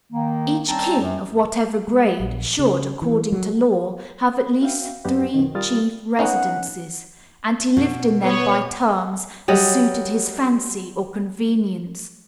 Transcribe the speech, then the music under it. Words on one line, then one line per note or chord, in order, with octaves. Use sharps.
Each king, of whatever grade, should, according to law, have at least three chief residences; and he lived in them by turns, as suited his fancy or convenience.
D#3 A#3
G3 C4 C#4 A5 A#5
F#2
G#3
A#1
C#3
E3
F#3
F#4 E5 F5 G5
F#2 B3 D4 G4 F#5
F#2 B2 D#3
G3 F4 A#4 D#6 F6 A6
B3 C#4 D#4 F#5
B2
B3 C#5
F#3 G3 D#5